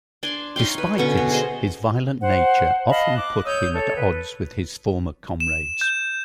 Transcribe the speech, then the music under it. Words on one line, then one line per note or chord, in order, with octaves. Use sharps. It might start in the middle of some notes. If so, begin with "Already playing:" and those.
Despite this, his violent nature often put him at odds with his former comrades.
D4 D5 G#5 C6
D#4 C#5 F5 G5
B4
B2 D3 C#4 C#6
B3
G#4 C5 D#5
C5 F#5
D#5 F5 A5 B5
D6 F#6
C#5 D#6 E6 G6
A4 C#5
B4
E7
G6